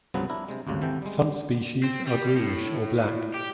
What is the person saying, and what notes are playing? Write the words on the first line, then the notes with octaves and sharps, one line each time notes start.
Some species are greenish or black.
C2 G2 C#3 F3 F#3 B3
D4 E4 A#4
C3 G#3
G#1 D2 G2 C#3
G#1 C3 E3 A4 G5
G3 G#3
C4
G3
A2
G4